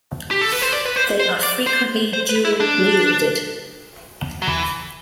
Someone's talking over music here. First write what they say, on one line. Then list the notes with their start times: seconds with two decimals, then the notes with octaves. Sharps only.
They are frequently dual wielded.
0.31 G4
0.41 A4
0.52 B4
0.62 C5
0.72 D5
0.85 B4
0.96 C5
1.19 C5
1.43 D5
1.67 C5
2.13 C5
2.29 B4
2.45 E4
2.60 D4
4.42 F#3
4.47 E3